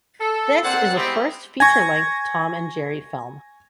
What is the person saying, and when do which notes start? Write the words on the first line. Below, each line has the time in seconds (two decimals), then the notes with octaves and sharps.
This is the first feature-length Tom and Jerry film.
0.21 A4
0.64 A#2 C4 C5 D5 F#5
0.96 G3 G#3 B3 C4 E4 G4
1.60 G#5 C#6 G#6 A#6